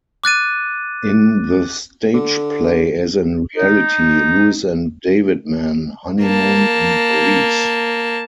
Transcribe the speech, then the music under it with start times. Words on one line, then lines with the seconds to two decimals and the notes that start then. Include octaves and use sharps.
In the stage play as in reality, Lewis and Davidman honeymoon in Greece.
0.24 D6 F#6 A6 D#7
2.14 D3
3.56 D#4
6.21 A#3 A5